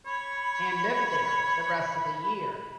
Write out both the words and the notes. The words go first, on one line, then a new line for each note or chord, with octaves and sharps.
and live there the rest of the year.
C#5 B5